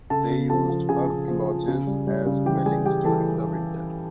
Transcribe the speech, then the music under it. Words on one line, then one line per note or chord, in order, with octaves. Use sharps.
They used earth lodges as dwellings during the winter.
C#3 A4 A5
C#3
F3 A4 A5
F3
C#3 G#4 G#5
C#3
F3
F3
C#3
G3
G3
C#3
E3 G4 G5
G3 G#4 G#5
G3 G4 G5
E3 A4 A5